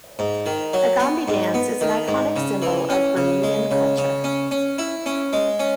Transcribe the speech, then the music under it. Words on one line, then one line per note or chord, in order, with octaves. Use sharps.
The "Gombey" dance is an iconic symbol of Bermudan culture.
G#2
D#3
F#3
B3
G#2
B3
D#3
G#2
C#3
E3
C#4
C#3
G#3
C#3
C#3
C#4
C#4
E4
C#4
G#3
C#4